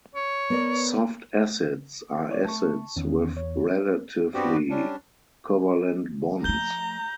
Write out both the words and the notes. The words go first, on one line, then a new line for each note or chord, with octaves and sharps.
Soft acids are acids with relatively covalent bonds.
C#5
B3 A#4 D5
E4 C#5 D5
A3 A5 C#6
E2 D#3 B3 C#4
C#5
G2 G3 B3 C4 F#4 G4
G3 C#4 D4
F3 A3 A#5 G6 G7